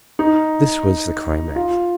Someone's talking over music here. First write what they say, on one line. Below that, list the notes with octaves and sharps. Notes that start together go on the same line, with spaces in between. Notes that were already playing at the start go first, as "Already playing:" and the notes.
This was the climax.
D#4
F4